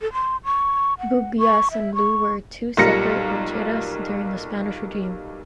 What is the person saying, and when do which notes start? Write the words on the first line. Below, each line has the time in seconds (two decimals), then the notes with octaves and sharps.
Buguias and Loo were two separate "rancheria"s during the Spanish Regime.
0.02 A4
0.13 C6
0.45 C#6
0.99 F#5
1.39 C#6
1.71 E5
1.95 C#6
2.77 B1 A#2 G3 A#4 A#6 C#7